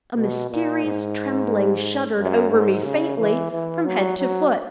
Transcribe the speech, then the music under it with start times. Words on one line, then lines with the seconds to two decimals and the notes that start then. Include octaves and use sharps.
A mysterious trembling shuddered over me faintly from head to foot.
0.16 B2
0.50 A#2
0.84 G#2
2.18 F#2
2.51 G#2
2.84 C#3
3.18 E3
3.52 E3
3.85 F#3
4.18 F#3